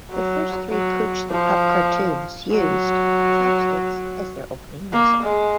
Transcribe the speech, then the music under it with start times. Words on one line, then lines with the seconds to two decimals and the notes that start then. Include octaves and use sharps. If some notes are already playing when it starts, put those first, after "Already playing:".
The first three Pooch the Pup cartoons used "Chopsticks" as their opening music.
0.11 F#3
0.71 F#3
1.31 F3
2.52 F#3
4.93 A#3
5.23 G#3